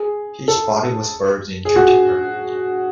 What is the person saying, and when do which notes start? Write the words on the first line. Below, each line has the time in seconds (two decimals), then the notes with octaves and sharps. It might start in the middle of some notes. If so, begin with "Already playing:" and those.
His body was buried in Kirtipur.
Already playing: G#4
0.48 A4
1.65 G#4
1.76 F#4